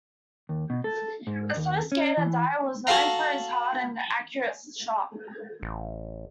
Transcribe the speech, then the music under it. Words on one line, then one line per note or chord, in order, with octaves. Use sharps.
A slow skater, Dye was known for his hard and accurate shot.
D#2
B2
A4
G#2
D#2
C#4
E3
F#4 A4 F5 A#5
A1